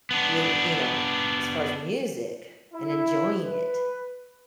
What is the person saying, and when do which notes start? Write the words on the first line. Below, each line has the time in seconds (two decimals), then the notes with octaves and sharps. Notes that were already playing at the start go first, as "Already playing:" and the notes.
with you know, as far as music, and enjoying it?
0.11 B3 D4
2.74 E4
3.43 B4